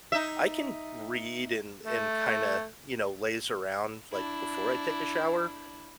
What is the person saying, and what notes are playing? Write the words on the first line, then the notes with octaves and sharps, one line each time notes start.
I can read and and kinda, you know, laze around, like, before I take a shower,
D#4 E5
A3
D4 E4